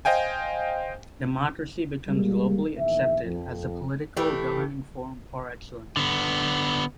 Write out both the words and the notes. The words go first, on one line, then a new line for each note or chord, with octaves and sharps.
Democracy becomes globally accepted as the political governing form par excellence.
C5 D#5 F5 G5 G#5
G3 G#3 A#3
A#1 E2 D#3 E5
F2
E3 A3 G4
D3 B3